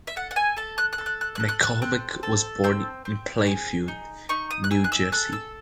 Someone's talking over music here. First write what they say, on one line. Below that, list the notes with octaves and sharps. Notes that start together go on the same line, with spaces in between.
McCormack was born in Plainfield, New Jersey.
E5
A4 F#5
F#5
G#5
A4 A5
F#6
F#6
A4
F#6
F#6
F#6
A4
F#6
F#6
C4 F#6
A4
C4 E6
C4
G#4
D#4
D#4 C#6
D#6
F#6
G#4 E6
F#6
E6
A4 F#6
E6